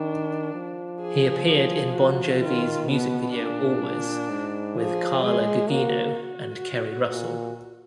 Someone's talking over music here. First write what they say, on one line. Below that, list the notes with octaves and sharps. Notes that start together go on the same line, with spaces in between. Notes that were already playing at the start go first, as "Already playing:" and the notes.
He appeared in Bon Jovi's music video "Always", with Carla Gugino and Keri Russell.
Already playing: D#3 D4
F3
G#4
G#4
F#4
D#3 F4
B2 B3
A#2 D4
G#2
F3 G#4
G#3 G#4
A#3 F#4
F#4
A#2